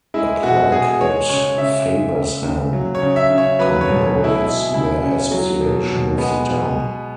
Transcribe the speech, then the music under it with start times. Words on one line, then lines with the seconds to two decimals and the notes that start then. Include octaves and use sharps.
A plaque at Faversham commemorates their association with the town.
0.14 G#3 E4
0.43 B2 F#4
0.72 B2 G#4
1.01 G#3 C#5
1.29 C#3 C#5
1.58 C#3 E5
1.87 G#3
2.15 C#3
2.44 C#3
2.73 F#3
2.95 C#5
3.02 C#3
3.16 E5
3.31 C#3
3.38 C#5
3.59 F#3 B4
3.81 C#5
3.88 B2
4.02 C#5
4.17 B2
4.24 E4
4.45 G#3 E4
4.74 C#3 E4
5.03 C#3 C#4
5.32 F#3
5.61 B2
5.89 B2
6.18 G#3 B3
6.47 B2
6.76 B2